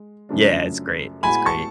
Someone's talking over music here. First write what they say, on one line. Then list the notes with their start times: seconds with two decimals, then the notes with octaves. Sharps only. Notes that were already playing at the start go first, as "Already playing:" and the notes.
Yeah, it's great. It's great.
Already playing: G#3
0.29 F#2 C#3 F3 A3 D4
1.23 A2 G#3 B3 F#4 G#5 B5
1.46 A5 C#6